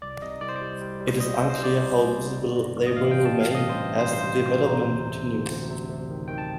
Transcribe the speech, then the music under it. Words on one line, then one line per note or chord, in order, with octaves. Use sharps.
It is unclear how visible they will remain as the development continues.
C2 D5
C3 D#5
C2 D5
C5
D5
G3
G3
G3
G3 D#5
C2 C5
C5
G3
D5
C3
G3
C3
D3
G2
A1
D#5
A1 F5
A1 G5
A5
A1 F5
G2 D#5
C5
A1
A1
C5
G2 C5
A1
A1
C3
D2
C3
D2
D2
C3
C3
D#3
D#3 G5
A5